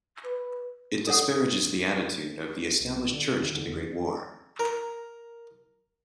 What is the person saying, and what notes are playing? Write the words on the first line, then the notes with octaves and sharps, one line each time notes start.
It disparages the attitude of the established church to the Great War.
B4
A4 C#5 F#5 D#6
C2
B1
D3
C#3
D#2
D3
E2
A#4